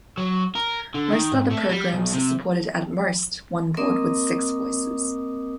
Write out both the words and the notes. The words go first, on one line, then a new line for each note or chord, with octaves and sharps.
Most other programs supported at most one board with six voices.
F#3
A#4
D3
D#3
G#2
A3
G3
B1
C3
A#3 C4 A#4 D#5 D6 D#6